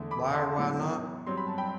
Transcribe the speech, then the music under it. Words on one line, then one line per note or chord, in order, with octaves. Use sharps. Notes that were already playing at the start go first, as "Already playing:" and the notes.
Why or why not?
Already playing: E2 D3 A3
B5 D6
A5 C6
A2 F#3 B3
G2 F#3 C4 C6
B5
A5
G5 B5